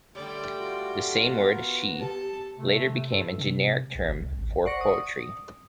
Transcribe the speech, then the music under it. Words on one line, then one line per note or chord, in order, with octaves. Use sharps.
The same word "shi" later became a generic term for poetry.
D3 G3 A3 D5 G5
F4 F#4
B3 A#4
G4 A4 A5
C3 A3
G2 A4
C3
A#1
F#1
C2
G#1
C5 D5 F#5 C#6 A#6 C#7
D#6